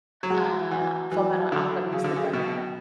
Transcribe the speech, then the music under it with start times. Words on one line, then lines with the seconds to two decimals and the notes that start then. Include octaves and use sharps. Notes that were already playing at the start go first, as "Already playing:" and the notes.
uh, Fullmetal Alchemist: The Brotherhood,
0.23 F#3
0.30 G#3 F#4
0.71 E3 F#4
1.11 E3 F#3
1.52 D3 F#3
1.92 C#3 F#3
2.04 D3
2.16 C#3
2.33 B2 F#3